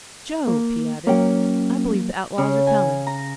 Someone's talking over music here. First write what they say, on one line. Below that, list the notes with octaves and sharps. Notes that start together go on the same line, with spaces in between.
"Jove!" he added, "I believe the outlaws are coming."
A#3
F#3 A#3 C#4 G5
C#3
G#5
A#5